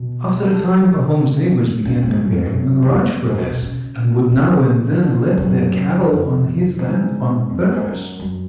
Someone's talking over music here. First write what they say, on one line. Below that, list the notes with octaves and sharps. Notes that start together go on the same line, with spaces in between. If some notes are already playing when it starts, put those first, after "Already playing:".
After a time Pahom's neighbours began to bear him a grudge for this, and would now and then let their cattle on his land on purpose.
Already playing: B2
D3
C#3
G#2
F#2
F2
F#2
G#2
F#2
G#2
B2
B2
C#3
C#3
D3
B2
A2
F#2
F2
G#2
F2
F#2
G#2
F#2
F#2